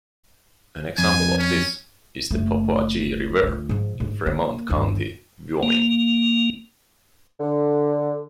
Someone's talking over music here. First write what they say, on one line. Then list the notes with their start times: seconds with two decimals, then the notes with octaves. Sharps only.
An example of this is the Popo Agie River in Fremont County, Wyoming.
0.98 F2 G#5
1.39 C#4
2.31 F#1 A3
3.43 D2 F4
3.69 G#2 F3
4.00 G#2
4.26 A#3
4.69 G1 D#2
5.63 A#3
7.40 D3